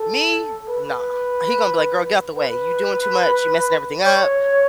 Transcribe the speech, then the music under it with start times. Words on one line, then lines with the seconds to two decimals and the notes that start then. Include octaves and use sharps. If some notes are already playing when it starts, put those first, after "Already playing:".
me? Nah. He gonna be like, "Girl, get out of the way. You doin' too much, you messing everything up.
Already playing: A4
0.69 B4
2.37 B4
4.06 C#5